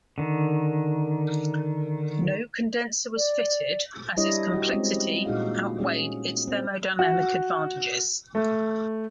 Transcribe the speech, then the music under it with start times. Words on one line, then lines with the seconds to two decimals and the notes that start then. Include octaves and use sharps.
No condenser was fitted, as its complexity outweighed its thermodynamic advantages.
0.18 D3 D#3
3.16 D5
4.17 G3 D4 E4 C#5 D#5
4.53 F#4 G4
4.73 G#3 C4 C#4
5.25 A#2 D#4 F#4 G#4 F5
5.79 C#4 G#4
6.47 C4
6.99 F#4
8.35 A3